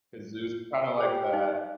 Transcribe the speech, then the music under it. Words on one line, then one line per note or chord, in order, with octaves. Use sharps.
'Cause it was kinda like that
G4 G#4 C5
D#4